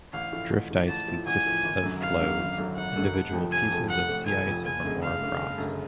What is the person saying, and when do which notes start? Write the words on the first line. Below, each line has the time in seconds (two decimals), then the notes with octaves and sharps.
Drift ice consists of "floes", individual pieces of sea ice or more across.
0.13 A1 F5
0.32 A2 F3
0.51 A1
0.70 A2 F3
0.88 A1 A5
1.08 A2 F3
1.26 A1 G#5
1.46 A2 F3
1.64 G#1
1.83 F#2 D3 F#3
2.01 G#1 F5
2.20 F#2 D3 F#3
2.39 G#1
2.58 F#2 D3 F#3
2.76 G#1 F#5
2.95 F#2 D3 F#3
3.14 F1
3.33 F2 F3 A3
3.52 F1 G#5
3.71 F2 F3 A3
3.89 F1 F#5
4.08 F2 F3 A3
4.26 F1 G#5
4.46 F2 F3 A3
4.64 F#1 G#5
4.83 F#2 D3 G#3
5.02 F#1 F5
5.21 F#2 D3 G#3
5.40 F#1
5.58 F#2 D3 G#3